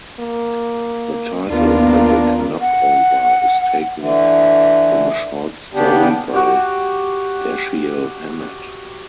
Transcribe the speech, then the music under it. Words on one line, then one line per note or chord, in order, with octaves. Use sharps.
The title, "The Big Knockover," is taken from a short story by Dashiell Hammett.
A#3
D#2 A#3 B3 D4 F4 A#4
F#5
D3 E3
C#3 B3 D4 G4
F#4 G4